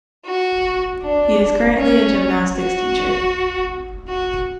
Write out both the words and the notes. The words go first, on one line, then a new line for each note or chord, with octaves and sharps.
He is currently a gymnastics teacher.
F#4
D4
C#4
F#4
F#4